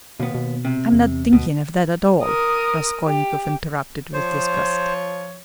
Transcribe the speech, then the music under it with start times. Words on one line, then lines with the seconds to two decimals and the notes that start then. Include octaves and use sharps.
"I'm not thinking of that at all," Raskolnikov interrupted with disgust.
0.20 D#2 B2 B3
0.35 B2
0.65 C3
0.93 E2
1.33 D2 B2
2.23 A#4 D#6
3.05 G4
4.14 F3 C5 C#5